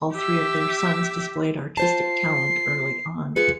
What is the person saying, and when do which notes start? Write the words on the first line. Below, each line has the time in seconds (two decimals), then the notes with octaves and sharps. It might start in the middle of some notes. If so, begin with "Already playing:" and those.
All three of their sons displayed artistic talent early on.
0.13 G4 E5
1.77 F4 C5 A5 C7
3.36 F4 G#4 B4 C#7